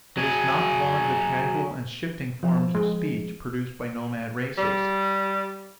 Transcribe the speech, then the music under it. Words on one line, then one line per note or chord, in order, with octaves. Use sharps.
It is not one of the casual and shifting forms of speech produced by nomad races.
F#3 G#4
F3
G#3
G3